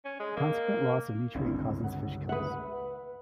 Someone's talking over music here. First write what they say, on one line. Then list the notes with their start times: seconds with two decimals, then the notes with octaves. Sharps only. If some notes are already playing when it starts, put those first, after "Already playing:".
The consequent loss of nutrient causes fish kills.
0.05 C#4
0.20 G#3
0.37 A#3
1.35 G1 C#2 C4 D4 E4
1.84 F#5
2.29 B4 E5 F#5 D#6